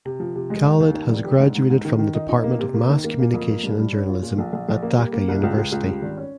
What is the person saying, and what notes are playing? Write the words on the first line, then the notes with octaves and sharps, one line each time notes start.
Khaled has graduated from the Department of Mass Communication and Journalism at Dhaka University.
C3
F3
C3
G#3
D#2
D#2
D#3
F1
G4
G#2
G#2
G#2
D#3
D#3
D#4
D#4
A#3
C3
A#3
D#3
A#3
A#3
F2
A#3
G2
G2
C#4
F4
A#2
A#1
A#1
A#1
A#3
G3
A#3
C2
C#2
C#2
C#2
G3
G#1
C#4